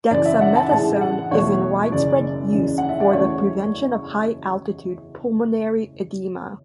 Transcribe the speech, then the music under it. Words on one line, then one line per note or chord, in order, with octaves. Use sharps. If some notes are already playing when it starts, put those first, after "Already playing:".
Dexamethasone is in widespread use for the prevention of high altitude pulmonary edema.
F#1 F#2 E3 D5
E5
F#5
A5
A1 A2 E3 G#3 A5
F#5
E2 B2 F#3 A3 C#5
F#1 F#2 C#3 E3 D5
F#1 E2 C#3
F#5
E5
D5
F#1 E2 C#3 F#3 A3 C#5